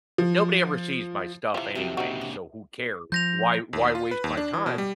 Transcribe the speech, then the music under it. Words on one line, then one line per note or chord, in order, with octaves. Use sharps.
nobody ever sees my stuff anyway, so who cares, why why waste my time?
F3
E3 F3 G4 E5
F2 C3 F#3
A#2 C#3 D#4 F#4
D4
F3 G6 A#6 F7
D#2
F4
B4
D#2
D4
E3
B2
G3